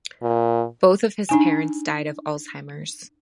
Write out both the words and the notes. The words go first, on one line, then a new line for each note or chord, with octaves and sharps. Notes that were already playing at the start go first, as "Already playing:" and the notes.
Both of his parents died of Alzheimers.
A#2
D4 D#4 G#5